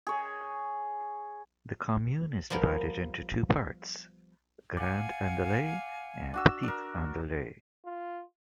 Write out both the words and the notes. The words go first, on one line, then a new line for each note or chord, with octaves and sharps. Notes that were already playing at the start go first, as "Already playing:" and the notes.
The commune is divided into two parts, Grand-Andely and Petit-Andely.
G#4 C#5
F3 G3 B3 A#4
D5 F5 F#5 G#5
D4 F#4 E6
D4 A#4
F4